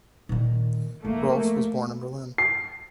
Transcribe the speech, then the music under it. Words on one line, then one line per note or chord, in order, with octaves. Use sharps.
Rohlfs was born in Berlin.
A#2 D#3
F2 A3 A#3
C7